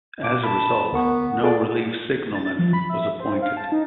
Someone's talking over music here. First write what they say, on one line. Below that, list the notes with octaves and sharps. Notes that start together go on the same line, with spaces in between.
As a result, no relief signalman was appointed.
A#2 D6
A5 B5
D2 B3 A#4 C#6
F4 G#4 A4 D5
A6
F3
B5
E5
C5
F5
A5
D#4